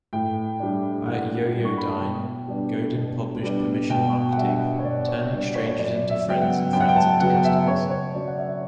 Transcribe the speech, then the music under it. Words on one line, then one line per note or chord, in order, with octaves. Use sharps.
At Yoyodyne, Godin published "Permission Marketing: Turning strangers into friends and friends into customers".
A2 G5
G3 D4
A2 F#5
G3 D4
C#6
B5
A5
B2 G5
G3 B3 D4
B2
G3 B3 D4
B2 G5
F#5
G3 D4 E5
C#5
B2 D5
C#5
G3 D4 D5
C#5
C#5
F#2 D5
E5
C#3 F#3 B3 G5
F#5
F#2 G5
F#5
G5
A5
C#3 F#3 B3 F#5
E5
C#3 C#5
C#5
F#3 C#4 D5
F#5
E5